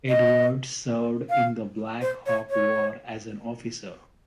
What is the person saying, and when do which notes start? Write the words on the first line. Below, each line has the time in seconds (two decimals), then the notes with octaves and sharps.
Edwards served in the Black Hawk War as an officer.
0.09 D#5
1.29 F5
2.02 C5
2.26 C#5
2.50 C#5